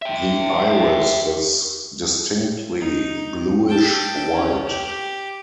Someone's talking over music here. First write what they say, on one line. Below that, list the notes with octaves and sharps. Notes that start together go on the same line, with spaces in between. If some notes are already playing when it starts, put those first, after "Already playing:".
The iris is distinctly bluish white.
E5 G5
D#4
G5 A5
C#4
G4